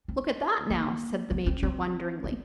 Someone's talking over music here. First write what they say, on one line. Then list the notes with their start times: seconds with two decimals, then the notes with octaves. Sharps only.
"Look at that, now!" said the Major, wonderingly.
0.08 C4
0.70 A#3
1.31 B3
1.46 C4
1.63 C4
2.24 C4